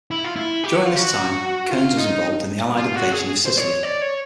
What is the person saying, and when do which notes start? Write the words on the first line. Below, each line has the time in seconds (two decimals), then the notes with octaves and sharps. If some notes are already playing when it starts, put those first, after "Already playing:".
During this time, "Cairns" was involved in the Allied invasion of Sicily.
0.11 E4
0.24 F4
0.36 E4
0.64 G4
0.75 F#4
0.86 F4
0.96 F#4
1.71 F4
1.98 D#4
2.78 F4
2.96 F#4
3.12 G#4
3.46 C5
3.57 C#5
3.83 D5
4.02 C#5